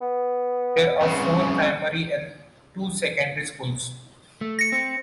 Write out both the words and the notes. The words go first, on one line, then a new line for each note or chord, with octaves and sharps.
There are four primary and two secondary schools.
B3
C2 C#3
A3
A#6 C#7
C4